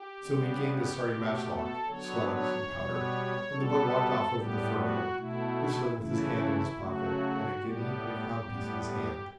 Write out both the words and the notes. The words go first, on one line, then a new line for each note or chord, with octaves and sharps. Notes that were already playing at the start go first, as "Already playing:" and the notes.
So we gained a sorry matchlock, slugs, and powder, and the boy walked off over the furrow, whistling with his hand in his pocket, and a guinea and a crown-piece in his hand.
Already playing: G4
C#3 G3 B3
G4
B2 A3
A4
D3 F#3 B3 C#5
C#5
B2 G3 B3
B2 G3 B3 A4
A2 G3 B3 G4
F#4
B2 A3 E4
C#3 E3 A3 E4
C#3 F#3 A3 F#4
A2 G3 B3 G4
A2 G3 B3
G4